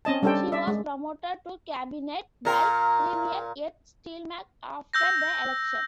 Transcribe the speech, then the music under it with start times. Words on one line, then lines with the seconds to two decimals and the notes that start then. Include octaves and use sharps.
She was promoted to cabinet by Premier Ed Stelmach after the election.
0.05 C4 C#4 D#5 A5
0.23 G3 C#4 D4 A4 C5 G5
0.52 D5 E5
0.67 G#3
2.45 A#2 A#4
4.93 E6 G6 A#6